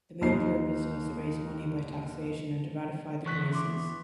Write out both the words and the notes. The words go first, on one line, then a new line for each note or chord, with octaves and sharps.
The main purpose was to raise money by taxation and to ratify the Graces.
D#2 D#4 C7
E2 C#6 F#6 B6
C6 D6